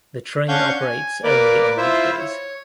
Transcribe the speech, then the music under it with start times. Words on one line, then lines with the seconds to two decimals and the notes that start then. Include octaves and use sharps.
The train operates only on weekdays.
0.49 C#4 D4 F5 F#5 C#6 G6
0.81 G#5
1.24 A#3 A#4 B4 D5 D6
1.77 E4 F4 C5 E5
2.19 C#5